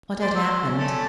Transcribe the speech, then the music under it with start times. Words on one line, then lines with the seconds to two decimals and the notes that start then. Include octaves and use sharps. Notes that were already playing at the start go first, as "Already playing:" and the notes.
What had happened?
0.22 C5 D5
0.35 E6
0.61 C#4
0.78 A3 C#4 A4 D5